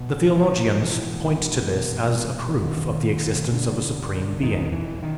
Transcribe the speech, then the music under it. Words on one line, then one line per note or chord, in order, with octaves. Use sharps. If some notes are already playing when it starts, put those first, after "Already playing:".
The theologians point to this as a proof of the existence of a supreme being.
Already playing: B2
E3
F3
B2 E3
B2
B2 D#3
B2 D3
B2 D#3
E3
D#3